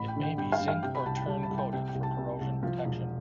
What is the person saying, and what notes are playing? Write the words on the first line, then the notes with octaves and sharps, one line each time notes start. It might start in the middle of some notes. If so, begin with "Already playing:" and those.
It may be zinc- or terne- coated for corrosion protection.
Already playing: A1 B5
G5
D3
G5
G2 G5
F5
G2
F5
C3 G5
B5
C2 A5
G5
G3 A5
A5
C2
G5
C3 G5
G5
C2
A5
C3
C2
F3
E1